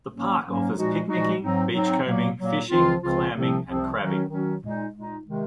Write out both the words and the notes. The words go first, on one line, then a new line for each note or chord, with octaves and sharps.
The park offers picnicking, beachcombing, fishing, clamming, and crabbing.
G#2 F#3 A#3 C#4
G#2 F#3 A#3 C#4
A#2 F3 G#3 D#4 F#4
A#2 F3 G#3 D#4 F#4
G#2 F#3 C4 D#4
G#2 F#3 C4 D#4
A#2 F#3 A#3
A#2 F#3 A#3
C#2 C#3 F3 C4 F4
C#2 C#3 F3 C4 F4
C2 C3 F3 C4
C2 C3 F3 C4
D#3 F#3 C#4 F#4
D#3 F#3 C#4 F#4
A#2 G#3 D#4
A#2 G#3 D#4
C3 D#3 G#3